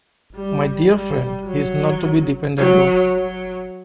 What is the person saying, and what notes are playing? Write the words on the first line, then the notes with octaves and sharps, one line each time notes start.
My dear friend, he is not to be depended on.
G3
G3
F#3
F#3
F#3